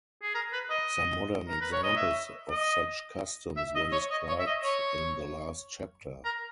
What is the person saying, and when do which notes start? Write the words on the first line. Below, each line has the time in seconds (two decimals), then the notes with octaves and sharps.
Some modern examples of such customs were described in the last chapter.
0.22 G#4
0.35 A#4
0.53 B4
0.70 D#5
1.49 A#4
1.61 B4
1.72 C#5
1.84 D#5
1.96 E5
2.50 D#5
3.57 E5
3.75 D#5
3.92 C#5
4.11 D#5
4.28 C#5
4.39 E5
4.47 D#5
4.64 C#5
6.25 A#4